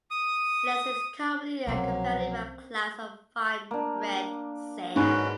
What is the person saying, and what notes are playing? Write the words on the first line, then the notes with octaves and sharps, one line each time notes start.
The Leste is commonly accompanied by clouds of fine red sand.
D#6
C2 B2 F3 F#3 A#3 C4 C#4
A#3 D4
G#2 C#4 F#4 B4